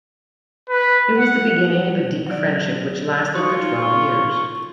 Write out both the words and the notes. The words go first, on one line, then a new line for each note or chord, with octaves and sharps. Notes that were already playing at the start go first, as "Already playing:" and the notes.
It was the beginning of a deep friendship which lasted for twelve years.
B4
F#5
F#3 D5
D#4 F4 F#4 C#6